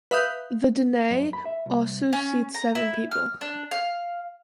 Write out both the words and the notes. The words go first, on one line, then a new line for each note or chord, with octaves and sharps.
The dinette also seats seven people.
B4 E5 F5 D#6 F#6 G6
F#2
B5
E5
C2
C#4
A#5
E4
F6
D4
F5